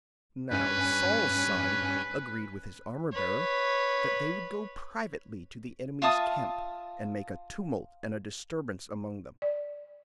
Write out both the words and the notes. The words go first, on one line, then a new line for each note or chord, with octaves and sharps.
Now Saul's son agreed with his armor-bearer, that they would go privately to the enemy's camp, and make a tumult and a disturbance among them.
G2 C#4 B4 G#5
B4 C#5
F4 E5 A5 D#6
D5